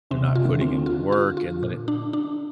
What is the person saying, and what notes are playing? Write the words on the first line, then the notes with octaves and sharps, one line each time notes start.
They're not putting in the work, and then it
C3 C4
F4
D#3
D3
C4
F4
F4
F4
A#2
D4
D4